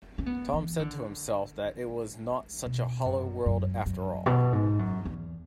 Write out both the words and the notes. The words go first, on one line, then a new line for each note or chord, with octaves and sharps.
Tom said to himself that it was not such a hollow world, after all.
C#4
B3
E3
D3
B2
F#2
F#2
F#2
B2
G#2
F#2
E2